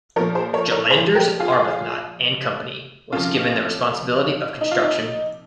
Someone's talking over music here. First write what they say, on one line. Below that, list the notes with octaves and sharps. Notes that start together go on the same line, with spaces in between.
Gillanders Arbuthnot and Company was given the responsibility of construction.
A#2 F3 A#4 C#5
G#4 C5
A#4 C#5
A#4 C#5
G#4 C5
G4 A#4
F4 G#4
C3 F3 C#4 F4
D#4
F4
D#4